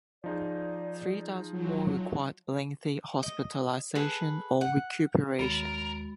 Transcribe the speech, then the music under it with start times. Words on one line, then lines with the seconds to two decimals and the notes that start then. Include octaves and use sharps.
Three thousand more required lengthy hospitalization or recuperation.
0.24 F3 D#4 G#4 D5
1.52 F#3 F4
3.23 D#5
3.95 G#4 A4 B4
4.61 F#5
5.39 D#2 G#3 F#4 A#4